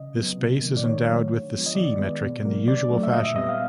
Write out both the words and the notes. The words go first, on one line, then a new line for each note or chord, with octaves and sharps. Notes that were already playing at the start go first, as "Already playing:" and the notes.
This space is endowed with the "C" metric in the usual fashion.
Already playing: C#3 D#5
F#3 B3
C3
D#3 F#3 A#3
D5
D#3 C#5
F#3 A3
D3
F3 G#3 B3
D#5
D#3 D5
G#3 B3
B2
F#3 A#3
D3 D5
F#3 A3
E5
A#2 D#5
E5
G3 B3 D#5
F5